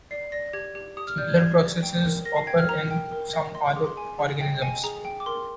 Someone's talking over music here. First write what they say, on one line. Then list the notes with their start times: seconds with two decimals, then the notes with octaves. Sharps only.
Similar processes occur in some other organisms.
0.11 D5 C7
0.32 D5 A#6
0.53 G4 G#6
0.75 G4
0.97 G4 D#6
1.07 F6
1.18 D5 G6
1.29 G#6
1.39 G4 G#6
1.61 G4
1.82 G5
2.04 A#4
2.25 A#4 A#6
2.36 C7
2.47 G5 G#6
2.58 F6
2.69 A#4 A#5
2.91 G5
3.12 A#4
3.33 D#5
3.55 D#5 C6
3.65 C6
3.76 G#4 D6
3.87 C6
3.97 G#4 G#5
4.19 G#4
4.41 D#5 G5
4.62 D#5 G#5
4.84 G#4 A#5
5.05 G5
5.20 D6
5.26 A#4 C6